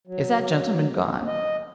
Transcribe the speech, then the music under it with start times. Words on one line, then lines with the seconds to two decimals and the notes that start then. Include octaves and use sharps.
Is that gentleman gone?
0.07 F#3
1.27 D#5